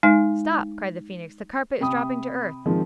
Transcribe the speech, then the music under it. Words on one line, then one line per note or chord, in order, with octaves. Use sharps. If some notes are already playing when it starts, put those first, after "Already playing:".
'Stop!' cried the Phoenix; 'the carpet is dropping to earth.'
G#3 D#4 G#5
C3 G5 B5 D#6
D#3 F3 G#3 C4